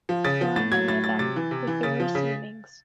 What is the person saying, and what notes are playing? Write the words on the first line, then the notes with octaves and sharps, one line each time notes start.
There are many of them, with various meanings.
F3
C#3 A6
F3
A2 A6
F#3 G#6
A2 A6
F#3 A6
C3 A6
E3
C3
E3
C#3 A6
F3
C#3